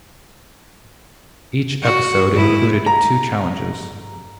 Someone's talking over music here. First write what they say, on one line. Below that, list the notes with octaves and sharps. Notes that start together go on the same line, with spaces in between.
Each episode included two challenges.
F#4
G#2 E4
A#5